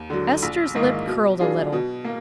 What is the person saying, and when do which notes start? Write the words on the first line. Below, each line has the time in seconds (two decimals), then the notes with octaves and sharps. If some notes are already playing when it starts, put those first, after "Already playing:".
Ester's lip curled a little.
Already playing: D#2
0.10 D3 F#3
0.43 A#1
0.75 G#2 D#3 A#3
1.07 B2
1.39 F#3 D4 F4 G#4
1.72 B2
2.05 A#3